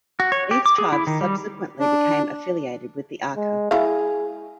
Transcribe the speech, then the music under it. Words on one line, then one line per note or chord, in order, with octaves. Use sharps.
These tribes subsequently became affiliated with the Aka.
F#4
C#5
G4
D6
G#4
E4
D#3
G3
D4
G#3
E4 G#4 F5